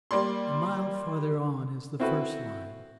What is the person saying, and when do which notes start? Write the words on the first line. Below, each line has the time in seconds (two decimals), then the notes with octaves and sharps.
A mile farther on is the first line.
0.11 G3 A#3 D5 C6
2.00 C4 E4 F#4 A4 B4